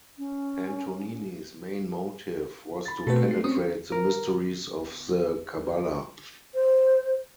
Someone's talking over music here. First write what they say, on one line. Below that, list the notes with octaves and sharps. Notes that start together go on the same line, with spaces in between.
Antonini's main motive was to penetrate the mysteries of the Cabala.
C#4
B5 A6
B2 A3 C4 F#4 A4 B4
C7
C4 C#4 D#6
A#4
C5